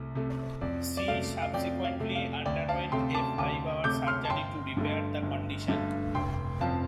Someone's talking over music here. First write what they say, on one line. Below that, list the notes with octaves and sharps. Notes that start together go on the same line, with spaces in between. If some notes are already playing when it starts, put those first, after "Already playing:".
She subsequently underwent a five-hour surgery to repair the condition.
Already playing: C2 A3
C3 A3
F2 D5
D5
C3 A3 F5
F5
F2 D5 G5
F5
C3 A3
F5
D2 D5 G5
F5 A5
C3 A3 G5 C6
A5 D6
D2 A5 D6
C3 A3 D6 G6
C6 F6
A5
G1 G5 C6
G2 D3 A3
G1
G2 D3 A3
F1 G5 C6
F2 F3 F5 A5